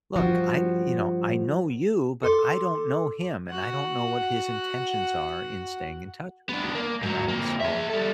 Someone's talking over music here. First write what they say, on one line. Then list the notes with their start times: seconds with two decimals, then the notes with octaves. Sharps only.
"Look, I you know, I know you, but I don't know him, and I don't know what his intentions are in staying in touch with you, you know, so,
0.16 G2 F3 F#4
2.23 A4 C6 D6
3.50 F#4 F#5
6.49 B3 D4
6.75 A#3
7.02 G#2 F#3
7.28 F2 A#3
7.61 G#4 E5
7.90 G3 A4